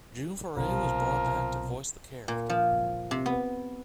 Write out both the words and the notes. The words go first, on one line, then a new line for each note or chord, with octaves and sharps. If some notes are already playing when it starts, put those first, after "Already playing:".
June Foray was brought back to voice the character.
B1 C3 F3 A#4
A#2
F3
C3
B3